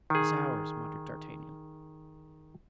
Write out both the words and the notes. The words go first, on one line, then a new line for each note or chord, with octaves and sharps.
"He's ours," muttered D'Artagnan.
D#3 G#4